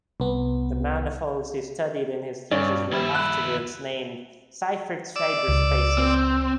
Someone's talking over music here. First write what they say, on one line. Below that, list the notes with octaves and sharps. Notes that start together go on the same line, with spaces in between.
The manifolds he studied in his thesis were afterwards named Seifert fiber spaces.
C2 B3
G2 C#4 D5
D#2 G3 E4
B5 F#6
D5 E6
C#2
C4